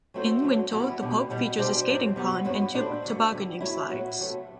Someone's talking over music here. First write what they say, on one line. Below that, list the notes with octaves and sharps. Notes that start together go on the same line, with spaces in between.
In winter the park features a skating pond and two tobogganing slides.
F#3 A3 C4 F#4 C5
D2 D3 F#3
E3 G3 B3
E2 B2 G3 D4 G4
B2 G3 B3
B2 G3 D4 G4 C5
F#2 F#3 C4
C3 G3 B3
G2 F#3 B3 F#4 B4
A2 G3 D4 A4 C5
D2 D3 A3
D2 D3 G3
G2 F#3 A3 E4
A2 F#3 B3 F#4 B4
D2 C3 F#3 A3